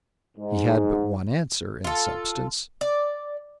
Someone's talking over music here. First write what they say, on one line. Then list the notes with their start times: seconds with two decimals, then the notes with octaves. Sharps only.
He had but one answer, in substance.
0.37 G#2
1.84 F4 A4
2.81 D5